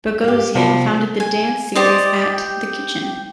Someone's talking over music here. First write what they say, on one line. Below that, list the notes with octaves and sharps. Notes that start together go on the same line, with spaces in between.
Bogosian founded the dance series at The Kitchen.
A#3 G4
C3 F3 B3 D5 B5
G#5
G4 C5 D5 D#5
G5